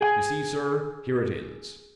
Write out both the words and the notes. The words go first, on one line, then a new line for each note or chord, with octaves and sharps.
You see, sir, here it is.
G#4 G5 G#5